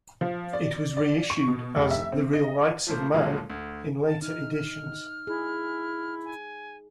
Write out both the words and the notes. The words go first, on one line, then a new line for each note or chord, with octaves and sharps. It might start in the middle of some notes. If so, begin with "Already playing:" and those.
It was re-issued as "The Real Rights of Man" in later editions.
F3
D5
D5
C#6
B2
F1
E5
C4
D#5
F3 A3 A#3 C5
D2 A#2 D3 F3 F#3 G#3
D2
A5
D#4 F6
F6
E4 G#4
G#5